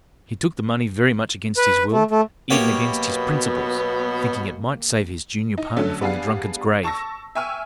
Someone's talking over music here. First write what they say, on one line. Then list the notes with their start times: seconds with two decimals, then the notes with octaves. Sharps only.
He took the money very much against his will, even against his principles--thinking it might save his junior partner from the drunkard's grave.
1.57 B4
1.92 A3
2.11 A3
2.50 B2 F#3 A#3 B3 G4 C#5
5.58 D#4
5.76 D3 F#3 A3 C#4 A4
6.01 G3 B3 D4 G#4 F5
6.83 A5 C#6 E6 A#6
7.35 E5 G5 G#5 C#6 E6 F6